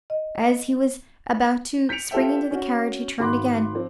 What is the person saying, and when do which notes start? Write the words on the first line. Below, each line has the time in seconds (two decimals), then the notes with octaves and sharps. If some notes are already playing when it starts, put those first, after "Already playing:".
As he was about to spring into the carriage, he turned again.
0.10 D#5
1.89 G6 B6 C#7 D7 F7
2.11 F4 G4 A4 C5 E5 G5
2.51 C#4 F#4
3.19 G#1 F#4 B5 C6 D6 F#6
3.73 F3 C4